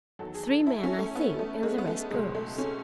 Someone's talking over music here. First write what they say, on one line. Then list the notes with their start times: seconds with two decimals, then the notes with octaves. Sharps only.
Three men, I think, and the rest girls.
0.19 E2 D#3 F#3 A4
0.35 G#4
0.51 A4
0.67 E4
0.84 C#4
0.98 A3
1.15 B3
1.39 A3
1.63 G#3
1.78 B3
1.87 A3
2.11 C#2 B2 F#3 G#3
2.35 A3
2.58 C#4